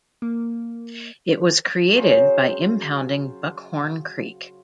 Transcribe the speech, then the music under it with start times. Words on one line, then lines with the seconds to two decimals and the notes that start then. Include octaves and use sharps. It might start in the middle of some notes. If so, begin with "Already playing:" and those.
It was created by impounding Buckhorn Creek.
0.22 A#3
1.96 C#3 F#3 F4 C5